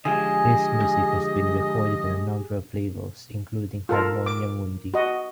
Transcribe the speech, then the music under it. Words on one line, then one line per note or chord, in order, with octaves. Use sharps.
His music has been recorded on a number of labels, including Harmonia Mundi.
D3 F3 G#3 G4 G#4 D#5
F4 A4 A#4
D6
F#4 D#5